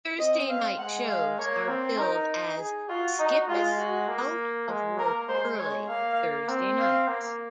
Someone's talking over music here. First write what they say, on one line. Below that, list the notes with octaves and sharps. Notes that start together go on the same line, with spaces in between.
Thursday night shows are billed as "Skippeth-Out-Of-Work-Early Thursday Nights".
C4 D#5
F5
G#3 F#5
F5
A#3 C#5
C4
D#4 A#4
G#4
F4 F#4
D#4
G#3 F4
F#4
A#3
G#3
A#3 A#4
G#3 C5
G#3 C#5
A#3 F5
C4
F5
A#3